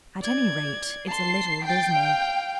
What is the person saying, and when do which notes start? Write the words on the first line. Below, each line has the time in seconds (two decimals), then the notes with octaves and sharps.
At any rate it's a little dismal.
0.22 D5 G#6
1.07 A5 C6 C7
1.65 G5 A6 C7
1.94 F5